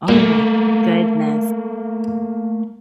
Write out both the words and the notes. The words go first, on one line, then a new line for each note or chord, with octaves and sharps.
Oh my goodness.
A#2 A3 A#3